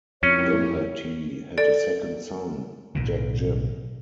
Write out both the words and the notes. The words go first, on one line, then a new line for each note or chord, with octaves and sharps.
Doherty had a second son, Jack Jim.
F2 C#4 E4 G4 A#4 C#5
A4 D5
B1 A2 D3